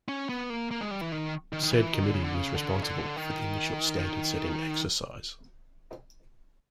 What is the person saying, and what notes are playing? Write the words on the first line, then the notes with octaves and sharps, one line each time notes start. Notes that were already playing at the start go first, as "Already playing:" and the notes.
Said committee was responsible for the initial standard setting exercise.
C#4
B3
A#3
A#3
G#3
G3
E3
D#3
D#3
D#3
E3
D#3
D3
C#3
D3
C#3
D3
C#3
D3
D#3
D#3